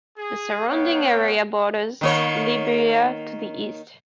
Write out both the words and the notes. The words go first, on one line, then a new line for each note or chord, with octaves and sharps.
The surrounding area borders Liberia to the east.
G#4
B3 C#5 F5 G5
D#3 A#3 C#5